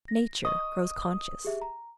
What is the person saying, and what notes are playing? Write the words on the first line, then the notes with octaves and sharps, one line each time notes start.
Nature grows conscious.
A#6
D#5 C#6 D#6
G4 G#4 E5
A#5